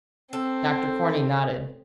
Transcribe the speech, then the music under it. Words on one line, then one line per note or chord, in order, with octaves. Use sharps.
Dr Corney nodded.
C4 A4